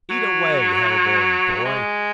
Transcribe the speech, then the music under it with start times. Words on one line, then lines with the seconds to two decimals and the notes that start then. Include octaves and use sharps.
Eat away, hell-born boy!
0.10 F#3
1.65 G#3